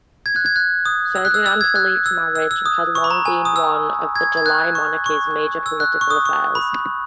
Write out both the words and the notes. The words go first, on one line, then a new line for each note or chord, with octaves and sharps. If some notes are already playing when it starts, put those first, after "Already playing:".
Ferdinand Philippe's marriage had long been one of the July Monarchy's major political affairs.
G#6
F#6
G#6
F#6
D#6
E6
F#6
E6
E6
G#6
F#6
E6
E6
E6
D#6
C#6
B5
A#5
G#5
D#6
E6
G#6
G#6
F#6
C#6
C#6
E6
F#6
C#6
D#6
C#6
B5